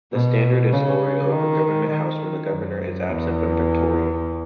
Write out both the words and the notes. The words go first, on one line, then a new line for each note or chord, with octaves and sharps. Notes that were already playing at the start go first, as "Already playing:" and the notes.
The Standard is lowered over Government House when the governor is absent from Victoria.
B2
C#3
D#3
D#3
F#2
E2